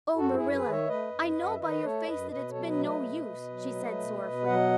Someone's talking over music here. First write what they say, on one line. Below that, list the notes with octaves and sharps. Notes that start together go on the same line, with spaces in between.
"Oh, Marilla, I know by your face that it's been no use," she said sorrowfully.
F#2 F#4 A4
E4 G#4
F#2
C#5
G#4 B4
D#3
C#5 E5
A3 B4 D#5
F#2
F#2
F#5
E5
D#3 B4 D#5
A3 A4 C#5
F#2 B4 D#5
B2 B4 D#5
A4 C#5
F#3
B4 D#5
A3
B4 D#5
B2
B2
F#3
A3
B2
B2
F#3 D#5 F#5